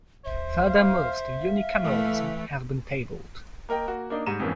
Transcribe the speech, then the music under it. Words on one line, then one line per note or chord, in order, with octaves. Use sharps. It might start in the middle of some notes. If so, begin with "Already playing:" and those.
Further moves to unicameralism have been tabled.
C5 E5
F5
F5
E3 A3
A#3 A#4 D#5 G5
A#3 F#4
A#3 D4 D#4
G#2 G3 A#5 D#7 E7
F2 G#2 E3 A#3 C#4